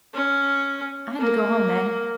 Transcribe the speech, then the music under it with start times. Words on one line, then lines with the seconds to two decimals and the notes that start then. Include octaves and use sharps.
I had to go home then.
0.14 C#4
1.20 A#3